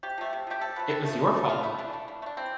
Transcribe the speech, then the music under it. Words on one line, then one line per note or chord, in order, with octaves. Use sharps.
It was your fault.
C3 G4
F3 A3
C3
F3 A3 G4
C3 A4
F3 A3 B4
C3 A4
F3 A3
E3
A3
E3 F4
A3 E4
E3 D4
A3
E3
A3
D4
E3 C4